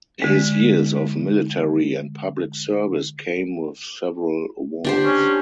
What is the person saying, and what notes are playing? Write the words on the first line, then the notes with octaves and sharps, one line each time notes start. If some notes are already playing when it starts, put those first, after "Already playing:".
His years of military and public service came with several awards.
D3 G#3
D4 G4 C5
C#4